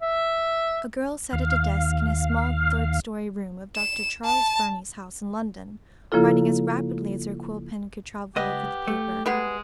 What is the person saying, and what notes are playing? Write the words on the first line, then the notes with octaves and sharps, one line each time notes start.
A girl sat at a desk in a small third-story room of Dr. Charles Burney's house in London, writing as rapidly as her quill-pen could travel over the paper.
E5
D#2 F5
E7
A5
C#3 F3 A#3 E4 F4 A4
C#2 B3 G4 D#5
A3
G3 G#3 B3 G#4